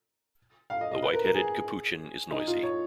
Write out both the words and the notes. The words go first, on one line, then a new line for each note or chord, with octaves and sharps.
The white-headed capuchin is noisy.
F5
D#5
D#5
B4
A#4
A#4
G#4
D#4
F4
C#5